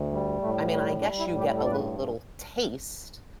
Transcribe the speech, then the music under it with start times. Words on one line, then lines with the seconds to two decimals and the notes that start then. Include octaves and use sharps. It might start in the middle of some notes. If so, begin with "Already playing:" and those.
I mean, I guess you get a little taste,
Already playing: D2
0.12 G3
0.41 A2 A3
0.70 G3
1.00 G3 D4
1.19 E4
1.28 A2
1.38 G4
1.57 G2 A4
1.66 D5
1.72 B4